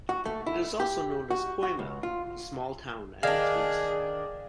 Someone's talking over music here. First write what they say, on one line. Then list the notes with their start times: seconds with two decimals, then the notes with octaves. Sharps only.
It is also known as Koyma, the small town at its base.
0.09 F#4
0.25 A3
0.46 E4
0.80 G4
1.30 F#4
1.63 F#4
1.79 C#2
2.03 F4
3.23 D#3 D4 G#4 D5 F5 G#6